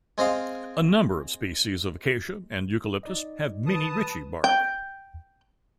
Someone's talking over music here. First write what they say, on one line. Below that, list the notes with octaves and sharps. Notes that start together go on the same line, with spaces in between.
A number of species of "Acacia" and "Eucalyptus" have minni ritchi bark.
G#3 C4 D#5 F5
D#4 D5 D#5
D#3 E3 B4 A5 D#6
G5